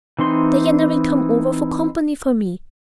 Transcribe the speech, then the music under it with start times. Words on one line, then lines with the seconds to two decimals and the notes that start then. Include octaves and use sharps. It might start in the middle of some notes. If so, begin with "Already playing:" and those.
Diana will come over for company for me.
0.19 E3 C4 D#4 C6